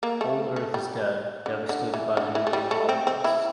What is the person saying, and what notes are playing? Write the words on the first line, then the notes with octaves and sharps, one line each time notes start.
Old Earth is dead, devastated by the nuclear holocausts.
A#3
A3
A3
G3
D3
D3
E3
D3
E3
A3
G3
A3
C4
C4
E3 E4